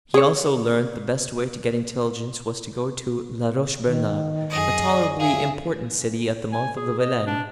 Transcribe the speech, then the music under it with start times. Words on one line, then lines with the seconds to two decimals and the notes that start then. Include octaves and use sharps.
He also learnt the best way to get intelligence was to go to La Roche-Bernard, a tolerably important city at the mouth of the Vilaine.
0.14 G#4 C#5
3.86 D#3
4.50 F#2 G#4 D#5
4.90 D5
5.19 G#4 E5 F5
6.53 G#5
6.76 G#4
7.00 D#5
7.27 D4